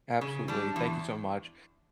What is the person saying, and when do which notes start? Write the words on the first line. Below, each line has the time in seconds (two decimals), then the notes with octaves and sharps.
Absolutely. Thank you so much.
0.21 C#3
0.48 G3 D4
0.76 E2